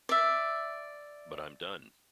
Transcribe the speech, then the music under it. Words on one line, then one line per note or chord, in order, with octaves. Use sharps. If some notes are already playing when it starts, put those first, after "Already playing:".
But I'm done.
D5 E5